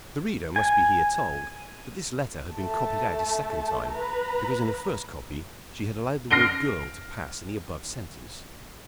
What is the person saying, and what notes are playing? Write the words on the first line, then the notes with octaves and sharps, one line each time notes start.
The reader must be here told that this letter had been copied out a second time because in the first copy she had allowed the word girl to pass in the above sentence.
G#5
A3 A5
B4 A#5
F6 A#6 C7 D7 G7